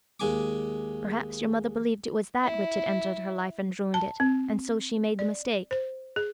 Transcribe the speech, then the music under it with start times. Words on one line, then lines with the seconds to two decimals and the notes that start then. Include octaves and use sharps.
Perhaps your mother believed it was that which had entered her life and ruined it; and so she made the mistake.
0.20 D#2 G#3 G#5 D6
2.43 E4
3.94 A5
4.20 C4
5.19 D5
5.71 C5
6.16 G#4